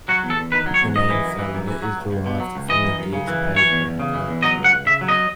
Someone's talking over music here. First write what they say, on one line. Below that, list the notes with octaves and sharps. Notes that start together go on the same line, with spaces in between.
The name fallow is derived from the deer's pale brown color.
F#3 F#4
E2
A4
E2
D#3 B4
F#3
C#5
E2
F#2 D#5
E3
F#2
E3
F#2
E3
F#3
C#2
C#2
B2
F#3
C#2
E3 D#5
F#2
F#2
C#3
E3
F#2
E3 C#5
E2
E2
C#3
E3
E2
F#3 D#5
C#2
F#5
C#2
C#3 E5
F#3
D#5